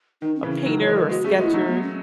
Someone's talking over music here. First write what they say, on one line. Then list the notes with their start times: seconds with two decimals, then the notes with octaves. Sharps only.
a painter or sketcher,
0.22 D#3 D#4
0.36 C#4
0.43 C#3 E3
0.51 C#4
0.65 D#3 F#3 D#4
0.81 C#5
0.87 E3 G#3
0.95 A4
1.09 G#3 B3 F#4
1.24 A3 C#4 G#4
1.34 G#3 B3 F#4
1.44 E4
1.54 F#3 A3 D#4
1.67 B3
1.83 C#4